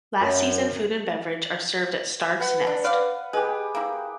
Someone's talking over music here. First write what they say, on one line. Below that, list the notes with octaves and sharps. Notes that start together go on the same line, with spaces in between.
Last season food and beverage are served at Stark's Nest.
F#2
B4 F#5
D4
B4 C5 D5 F5
G#3 G4 G#4 B4
A#3 E4